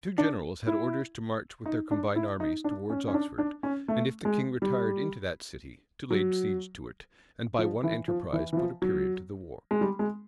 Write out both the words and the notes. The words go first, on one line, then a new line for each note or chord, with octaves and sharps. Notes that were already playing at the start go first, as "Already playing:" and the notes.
The two generals had orders to march with their combined armies towards Oxford; and, if the king retired into that city, to lay siege to it, and by one enterprise put a period to the war.
D4
E4
D#4
D4
E4
D#4
D4
C#4
C#4
D4
D4
C#4
A3
G#3
G3
F#3
F3
E3
F3
E3
E3
F3
F#3
G#3
G3
G#3